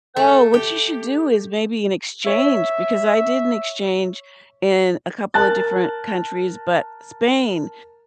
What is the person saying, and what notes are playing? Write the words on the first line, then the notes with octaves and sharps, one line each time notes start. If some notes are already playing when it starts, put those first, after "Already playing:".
Oh, what you should do is maybe an exchange, because I did an exchange in a couple of different countries, but Spain.
A3
G4
C#5 E5
A#4 A5 F#6 A6